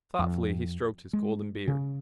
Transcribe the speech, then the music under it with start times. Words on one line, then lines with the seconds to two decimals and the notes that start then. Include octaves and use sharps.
Thoughtfully he stroked his golden beard.
0.19 F2
1.13 G#3
1.68 C#3